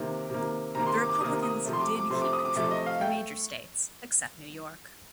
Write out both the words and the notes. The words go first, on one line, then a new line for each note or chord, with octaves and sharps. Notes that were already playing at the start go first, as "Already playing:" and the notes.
The Republicans did keep control of the major states except New York.
Already playing: C3 D#3 A#3
C3 D#3 A#3
C3 D#3 A#3 A#5
C6
D6
D6
C3 D#3 A#3 D#6
D#6
C3 F3 A3
C6
D6
D6
C3 F3 A3 C6
D6
D#6
D6
C3 F3 A3 D6
D#5
F5
A3 G5